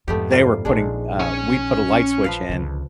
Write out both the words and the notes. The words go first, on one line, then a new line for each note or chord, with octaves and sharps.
they were putting uh, we'd put a light switch in,
F2 G#2 A3 B3 G4
C3 G3 F4
A#1 G#3 D4 D#4 G#4
C#4 G#5
F3 B4 F5
C#2 D3